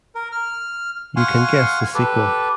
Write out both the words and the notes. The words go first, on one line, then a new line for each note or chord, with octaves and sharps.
You can guess the sequel.
A#4
F6
F5 F#5 G#5 C6 C#6
G4 A4 B4